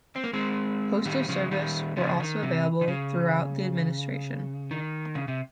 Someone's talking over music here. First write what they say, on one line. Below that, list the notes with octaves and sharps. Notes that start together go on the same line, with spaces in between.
Postal service were also available throughout the administration.
C4
A#3
G#3 C4
D#3 G3
C#3 F3
D#3 G3
C#3 F3
D#3
C3
D#3
C#3
D#3
C#3
C3